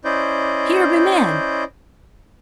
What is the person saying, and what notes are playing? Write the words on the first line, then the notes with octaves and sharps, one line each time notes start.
Here be men!
C#4 E4 C5 D5 D#5 G6